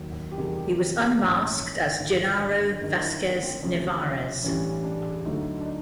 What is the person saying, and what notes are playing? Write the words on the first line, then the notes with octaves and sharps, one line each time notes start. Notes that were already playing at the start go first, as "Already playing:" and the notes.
He was unmasked as Genaro Vazquez Nevarez.
Already playing: D#2 D#3 F#3
G4
E2 C3 D#3 G3 G#4
G4
C4
A#1 G#2 E3 C#4
G#1 G2 D3
G1 G2 D#3 D#4
E4
C4
C4
D2 C3 F3 C#4
C#4
A1 G2 E3 G3 C#4
D4
D2 D3 F#3 D#4
D4
D#4